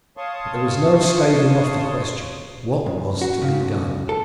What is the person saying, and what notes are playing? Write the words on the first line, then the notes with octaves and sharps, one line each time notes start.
But there was no staving off the question, What was to be done?
C#5 F5 A5 C6 C#6 D#6
F#2
F#4
C#3
B1
A4